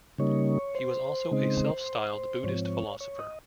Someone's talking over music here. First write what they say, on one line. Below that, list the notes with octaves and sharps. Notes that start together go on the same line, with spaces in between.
He was also a self-styled Buddhist philosopher.
C#3 G3 A#3 D#4 C#5
C5
C#3 G#3 C4 D#4
G#2 F3 C4 C#5
C#5
D#5